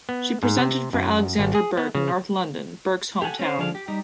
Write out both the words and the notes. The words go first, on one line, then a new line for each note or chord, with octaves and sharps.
She presented for Alexandra Burke in North London, Burke's home town.
B3
G#2
C3
F#2
G#1
G#4
B3
C#3
G4 A4 F#5 G#5
C#4 C5
D3 F3 D4 G#4 F5
G4
G3 D#4 G4